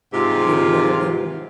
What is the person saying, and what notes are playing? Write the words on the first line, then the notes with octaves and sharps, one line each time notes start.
you know, none of them
G#2 C3 F4